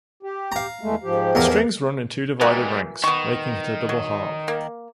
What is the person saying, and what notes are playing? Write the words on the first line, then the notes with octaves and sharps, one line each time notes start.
The strings run in two divided ranks, making it a double harp.
G4
F5 A#5
E2 G#3 A3
G#2 F3 G4
E2 A#4
E3 G3 G#3 F#4 A#4
D#3 B3 C#6
F#3
A#3